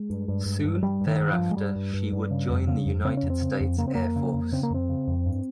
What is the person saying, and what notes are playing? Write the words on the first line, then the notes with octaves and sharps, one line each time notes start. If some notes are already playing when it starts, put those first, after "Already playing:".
Soon thereafter she would join the United States Air Force.
Already playing: G#3
G2
G2
G2
G2
G2 G3
G2
D#3
G2
F3
G2
G#3
G2 G3
G2
G2
G2
C#3
F2
C#3
F2
C#3 C4
C#4
F2
C4
C#3
F2
C#3 A#3
C4
F2 A#3
C#3
F2
C#3 C4
A#3
F2 C4
C#3
F2
G2